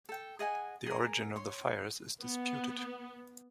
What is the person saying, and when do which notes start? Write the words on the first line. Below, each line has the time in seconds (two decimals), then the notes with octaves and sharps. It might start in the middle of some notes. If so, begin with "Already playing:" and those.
The origin of the fires is disputed.
0.09 A4 G5
0.39 G#4 D#5 F#5 G#5
0.86 G#4 A#4
1.36 C#5 C6
2.22 B3